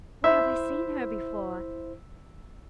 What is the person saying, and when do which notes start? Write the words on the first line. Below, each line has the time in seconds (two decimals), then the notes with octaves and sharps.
Where have I seen her before?
0.24 E4 C5 E5